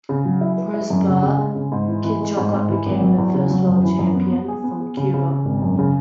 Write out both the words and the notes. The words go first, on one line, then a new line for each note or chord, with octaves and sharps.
For his part, "Kid Chocolate" became the first world champion from Cuba.
C#3
F#3
E4
B4
E4
F#2
C#3
C#3
G#3
C#3
G#2
E3
E3
G#3
G#2
G#2
E3
G#1
F#3
E2
C#3
F#3
F#2
E3
F#2
B3
B3
G#4
B3
G#4
C#3
C#3
C#3
G#1
F#2
C#3